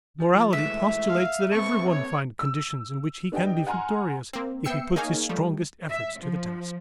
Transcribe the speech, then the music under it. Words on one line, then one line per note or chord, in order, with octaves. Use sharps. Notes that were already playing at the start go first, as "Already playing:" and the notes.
Morality postulates that everyone find conditions in which he can be victorious if he puts his strongest efforts to the task.
F3
E3 G#3 A3 E5
F5
B3 C4 A4 C#6
C#5
E6
B3 D4 G4 D#5 G5
F#5 G#5 A#5 C6 F6
A#3 C4
B3 E5 G5 E6 C7 C#7
A#3 D#4 G#4 C#5 F5 G#5
F3 G3 A3
E5
F3